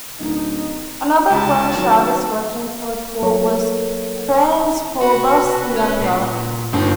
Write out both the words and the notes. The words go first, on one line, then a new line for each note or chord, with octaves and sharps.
Another Flemish artist working for the court was Frans Pourbus the younger.
D1 D#4
C#2 C#3 A5 B5
D#3 F#3
F#3 A#3 A4 A#4 C#5
F#4 B4
C#4
A#2
G1 D#2 C4 F4